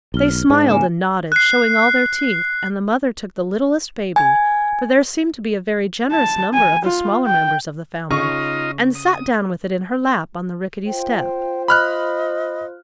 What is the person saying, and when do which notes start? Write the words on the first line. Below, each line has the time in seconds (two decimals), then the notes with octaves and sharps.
They smiled and nodded, showing all their teeth, and the mother took the littlest baby, for there seemed to be a very generous number of the smaller members of the family, and sat down with it in her lap on the rickety step.
0.14 B1 F6 G7
0.50 G#2 G#3 D4
0.68 C#3 A#3 G#5 E7
1.32 F#6 C7
4.16 G#5
6.12 A5
6.54 G#5
6.85 F4
7.27 G5
8.11 C#3 D#4 F4 D#5 C#6
8.95 D#6
10.87 F4 C5 G5
11.68 D#5 B5 F6 F#6